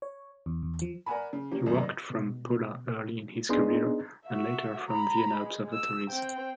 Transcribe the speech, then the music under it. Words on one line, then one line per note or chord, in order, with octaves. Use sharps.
He worked from Pola early in his career and later from Vienna observatories.
C#5
E2
E2
F3
A#4 D5 F#5 G#5 A5 B5
C#3
F3 A#3 C#4 G4
G#1 C#2 F#2 C3 A3
D#5
B2
B3 D4 D#4 G#4 D#5 C6
F#4 E5
A#5 B5
G#3
E6
C4 G5